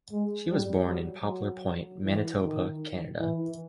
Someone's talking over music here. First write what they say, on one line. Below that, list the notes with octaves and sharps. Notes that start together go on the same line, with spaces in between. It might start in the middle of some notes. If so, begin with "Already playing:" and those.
She was born in Poplar Point, Manitoba, Canada.
G#3
G3
F#3
F#3
E3
D#3
E3